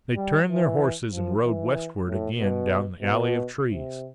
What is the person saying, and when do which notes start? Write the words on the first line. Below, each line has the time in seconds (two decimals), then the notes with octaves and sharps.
They turned their horses and rode westward again down the alley of trees.
0.16 G3
0.48 E3
1.11 F3
1.44 E3
2.06 A2
2.39 B2
3.01 B2
3.65 C3